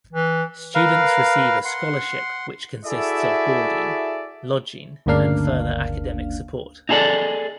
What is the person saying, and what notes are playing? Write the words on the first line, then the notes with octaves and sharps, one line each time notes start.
Students receive a scholarship which consists of boarding, lodging and further academic support.
E3
A#4 B4 F5
F#5 C6
E4 F#4 G#4 A4 D5 E5
G1 D2 C#3 A#3 D4 F5
D#4 E4 G#4 A4 D5 D#5